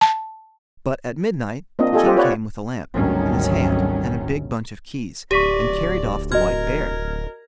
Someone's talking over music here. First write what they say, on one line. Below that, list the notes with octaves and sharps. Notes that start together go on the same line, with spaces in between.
But at midnight the king came with a lamp in his hand and a big bunch of keys, and carried off the white bear.
A5
A#3 C4 D4 F4 D#5
F4 G4 A4 D#5 G#5
F4 G4 C5
F4 B4 C#5 D5 F#5
G#1 D2 D#3 F#3 G3 C#4
D1 G4 D5 C#6 B6 D#7
F#4 A#4 D#5 F6 G#6